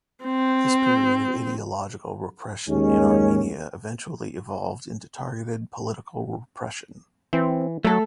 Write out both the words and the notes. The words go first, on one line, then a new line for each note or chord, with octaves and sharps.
This period of ideological repression in Armenia eventually evolved into targeted political repression.
C4
D#2 G#3 C#4
E3 C4
F#3 A3 A4